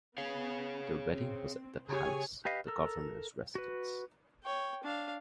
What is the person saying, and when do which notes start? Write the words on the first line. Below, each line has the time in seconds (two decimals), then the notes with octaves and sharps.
Their wedding was at the Palace, the governor's residence.
0.18 B3 G#4 C#5 F5
1.11 C4
1.89 C#3 G4 G#4 C#5 G#5
2.45 G4 B4 D#5 F5
2.67 A4 A#4 E6
3.55 F#4 B4
4.44 C#5 G5
4.84 D4 F5